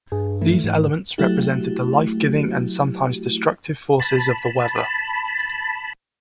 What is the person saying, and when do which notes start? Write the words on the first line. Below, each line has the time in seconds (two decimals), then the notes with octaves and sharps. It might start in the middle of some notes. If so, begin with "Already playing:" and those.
These elements represented the life-giving and sometimes destructive forces of the weather.
0.12 G2 G#4
0.41 E3 A3 E4
0.64 G#2
1.18 F#3 A3 E4 F#4 G4
4.00 A5 B5